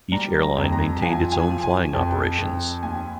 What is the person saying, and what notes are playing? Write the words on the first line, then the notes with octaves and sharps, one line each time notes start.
Each airline maintained is own flying operations.
G3 A#5
A#5
F2
A#5
F3 G#5
G#5
F3
G#5
F2
F2
D#2 G#5